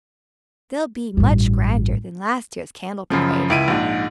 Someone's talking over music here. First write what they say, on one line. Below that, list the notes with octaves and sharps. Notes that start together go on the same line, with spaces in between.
They'll be much grander than last year's candle parade.
A1 G2
F#2 C#3 F3
C#2 E4 D7 D#7
A#1 G#2